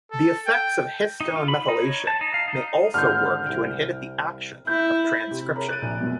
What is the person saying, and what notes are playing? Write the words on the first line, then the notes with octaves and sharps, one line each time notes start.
The effects of histone methylation may also work to inhibit the action of transcription.
A4
G5
D#4
F4
B5
D#4
C#5
A5
D#4
F5
D#4
G#1 D3 F6 G6
C2 G5
E4 G6
C3
G#4 A#4 C#5 A#5 B5
F#6 G6 A6 D7 D#7
A#1
F#2 B2